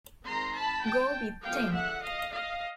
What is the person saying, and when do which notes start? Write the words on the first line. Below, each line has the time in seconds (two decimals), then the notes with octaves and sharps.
Go with ten!
0.25 D#3 G#3 C4 A#5 C6
0.55 A5 B5
0.84 G5 A5
1.43 D3 F3 G#3 B3 F5 G5
1.72 E5 F#5
2.03 D#5 F5
2.31 D#5 F5